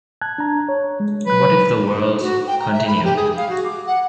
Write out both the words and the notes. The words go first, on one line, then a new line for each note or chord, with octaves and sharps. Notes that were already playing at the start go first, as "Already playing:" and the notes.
What if the worlds continued?
A5 F#6 G#6
D4 A#5
C#5
G#3
F#3 B4 F#6
F#4
G5
A#5
E5
B5
G4
G#4
F5
F#4
D6
F#5